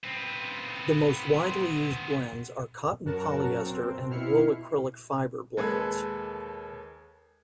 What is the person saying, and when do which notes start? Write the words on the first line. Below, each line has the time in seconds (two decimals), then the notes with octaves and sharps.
The most widely used blends are cotton-polyester and wool-acrylic fibre blends.
0.04 B3 C4
3.05 F#2 F#4 A#4 A5
3.65 C4
4.10 B2 E4 F6 C7 C#7
5.57 D#2 G#3 A4 B4 G#6